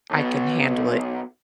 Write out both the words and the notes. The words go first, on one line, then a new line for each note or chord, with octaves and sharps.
I can handle it.
B1 B2